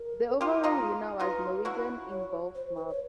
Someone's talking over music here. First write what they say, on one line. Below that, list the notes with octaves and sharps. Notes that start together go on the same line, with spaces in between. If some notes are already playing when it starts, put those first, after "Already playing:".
The overall winner was Norwegian Ingolf Mork.
Already playing: A#4
F4 G4
D#4 F4
D#4 F4 B4
E4 F#4
C#5
C5
B4
C#5